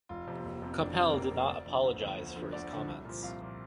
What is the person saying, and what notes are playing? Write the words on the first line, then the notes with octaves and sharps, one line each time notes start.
Coppell did not apologise for his comments.
F1 F4
F2 C3
F1
F2 C3
F1 D4
F2 C3 C4
F1 A#3
A#4
F2
C3 F5
D2 D5
D3 F3
D2
D3 F3
D2
D3 F3
D2 D5
D3 F3
C2
A#2 F3
C2 F5
A#2 F3